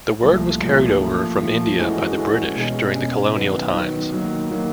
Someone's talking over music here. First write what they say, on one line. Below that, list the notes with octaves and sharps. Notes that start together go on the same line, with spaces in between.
The word was carried over from India by the British during the colonial times.
C2 A#2 F3 A3
C2 A#2 F3 A3
A#2 F3 A3
A#2 F3 A3
E3 G#3 C#4 F#4 A4
E3 G#3 C#4 F#4 A4
B2 G#3 C#4
B2 G#3 C#4
D#3 F#3 B3
D#3 F#3 B3
D#3 F#3 A#3
D#3 F#3 A#3